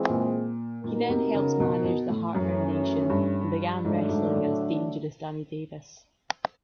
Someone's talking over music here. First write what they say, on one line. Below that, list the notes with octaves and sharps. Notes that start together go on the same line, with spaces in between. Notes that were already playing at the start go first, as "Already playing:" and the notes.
He then helped manage the Hart Foundation and began wrestling as "Dangerous" Danny Davis.
Already playing: E3 G#3 C4 F4 G#4
A#2
A#2 B3 D#4 F#4 A#4
C3
C#3
B2
B2
A2
F#2 E3 A3 C#4
G2
G#2 D3 F#3 A3 D4
G#2
A2